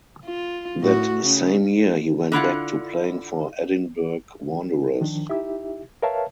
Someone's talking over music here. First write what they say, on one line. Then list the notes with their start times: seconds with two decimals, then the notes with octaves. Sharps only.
That same year he went back to playing for Edinburgh Wanderers.
0.25 F4
0.80 A2 F#4
1.23 C#3
2.32 D3 E4 F4 F#5
5.01 D#3 F3 D4
5.29 D#4 E4 G4 E5
6.02 A#4 B4 C#5 E5 F5 A5